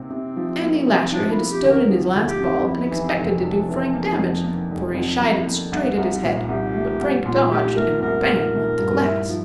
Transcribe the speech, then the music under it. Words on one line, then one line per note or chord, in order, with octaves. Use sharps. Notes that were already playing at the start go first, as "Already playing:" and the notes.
"Andy Lasher hid a stone in his last ball, and expected to do Frank damage, for he shied it straight at his head; but Frank dodged, and bang went the glass!"
Already playing: C3 A#3 C4
C3
F3
A#3
C3
F3 D4
E4
F3
G4
D2
A#4
F3
D2
G4
C3
F2 E4
E4
E3
C4
F1
C4
F1 D4
E3
A#3
F2
A#3
F1
F2 D4
C4
F2
E4
A#3
A4
C2
C2
A#2
C2 G4
A3
C2
A#2 F4
A3 G4
A3 A#4
C2 A#4
C2
A3
G2
E4
F3